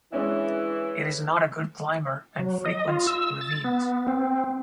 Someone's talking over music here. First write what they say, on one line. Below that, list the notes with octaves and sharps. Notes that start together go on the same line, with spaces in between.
It is not a good climber and frequents ravines.
E3 G#3 C#4 D4 E4
F#3
D#5
F4
E6
A6
B3
C4